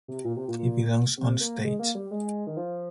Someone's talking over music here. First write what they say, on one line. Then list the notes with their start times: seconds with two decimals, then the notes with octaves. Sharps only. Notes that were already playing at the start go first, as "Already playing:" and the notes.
He belongs on stage!
0.08 C3
0.24 A#2
0.36 C3
0.48 A#2
0.59 A#2
1.18 C3
1.41 A#3
1.64 G#3
1.79 A#3
1.95 G3
2.11 G#3
2.47 D#3
2.57 F3